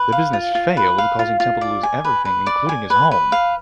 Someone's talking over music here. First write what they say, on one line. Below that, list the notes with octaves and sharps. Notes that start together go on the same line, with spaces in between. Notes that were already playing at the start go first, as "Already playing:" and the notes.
The business failed causing Temple to lose everything, including his home.
Already playing: B4
F5
F4
F4
B4
F5
F4
F4
D5
G#5
B4
B4
D5
G#5
B4
B4
F5